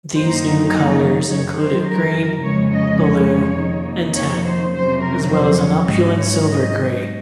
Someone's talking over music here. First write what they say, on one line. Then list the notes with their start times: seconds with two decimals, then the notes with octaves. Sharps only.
These new colors included green, blue and tan as well as an opulent silver-gray.
0.14 F#2 D#3 F#3 A#3 D#4 C5
1.30 F#2 D#3 F#3 C#5
1.58 C5
1.87 A#4
2.43 F2 C#3 G#3 C#4 C#5
2.73 D#5
3.01 C#5
3.59 F2 C3 D#3 A#3 D#4
4.15 C#5
4.45 C5
4.73 F2 C3 F#3 C#4 C5
5.01 A#4
5.30 C5
5.60 C#5
5.88 G#2 F#3 C#4 D#5
6.17 C#5
6.45 D#5